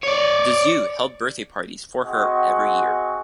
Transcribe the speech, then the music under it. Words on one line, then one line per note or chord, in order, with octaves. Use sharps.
The Zoo held birthday parties for her every year.
C#5 D5
C4 F#4 G#4 D#5 F#5 C#6